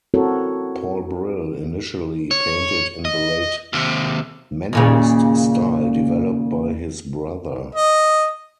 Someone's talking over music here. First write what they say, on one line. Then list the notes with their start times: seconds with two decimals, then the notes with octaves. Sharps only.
Paul Bril initially painted in the late Mannerist style developed by his brother.
0.14 C4 E4 F#4 A4 A#4 C#5
2.31 C#5
3.05 D#5
3.73 D#2 C3
4.73 D#2 A#2 C#3
7.75 D#5